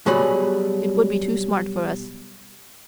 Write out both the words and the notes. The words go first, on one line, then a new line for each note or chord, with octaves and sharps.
It would be too smart for us.
B2 F#3 G3 G#4 B5